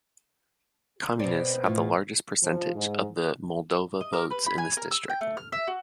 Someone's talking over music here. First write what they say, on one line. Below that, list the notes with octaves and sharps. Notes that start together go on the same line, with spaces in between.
Communists have the largest percentage of the Moldova votes in this district.
B2 C4 D5
A2 F4
F3
G#2
D#5
A#4
B4
B5
G#5
A#4
E6
G5
A3
F6
E5
F#4